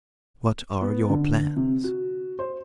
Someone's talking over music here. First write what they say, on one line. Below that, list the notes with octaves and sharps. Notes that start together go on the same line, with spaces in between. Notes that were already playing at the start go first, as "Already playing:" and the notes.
What are your plans?
B3
D3
C3
F#4
C5